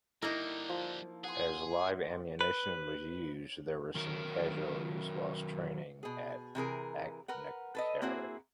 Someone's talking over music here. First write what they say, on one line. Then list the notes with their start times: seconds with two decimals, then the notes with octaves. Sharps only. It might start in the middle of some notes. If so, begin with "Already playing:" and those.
As live ammunition was used, there were some casualties whilst training at Achnacarry.
0.22 D3 G3 A#3 D#4 E4
0.69 F3
1.24 G#4 F#5 C6
2.41 B4
3.95 D#3 F#3 A#4
6.03 B2 G#4
6.55 C3 E3 G#4 A#4
7.28 A#4 B4 F#5
7.75 A4 B4 D#5
8.02 A#3 C4 E4 F#4 G#4